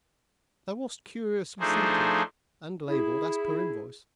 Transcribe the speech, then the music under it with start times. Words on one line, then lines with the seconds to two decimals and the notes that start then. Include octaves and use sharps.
Thou wast curiously scented, and labelled as per invoice.
1.60 F3 A3 D4 D#4 G#4 C5
2.88 E4 G#4